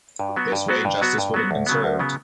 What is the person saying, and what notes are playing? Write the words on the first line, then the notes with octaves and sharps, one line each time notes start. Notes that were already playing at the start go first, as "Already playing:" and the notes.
This way, justice would have been served.
G2
F#3 B3 F#4
G2
F#3 B3 F#4
G2
F#3 B3 F#4
G2
F#3 B3 F#4
D2
C#3 F#3 B3
D2
C#3 F#3 B3